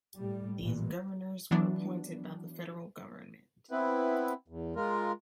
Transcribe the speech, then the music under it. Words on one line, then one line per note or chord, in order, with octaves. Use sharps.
These governors were appointed by the Federal government.
A2 G3
A1 A#2 E3
E3 F#3 B3 D4
B3 C4 E4 B4
E2
G#3 F4 A#4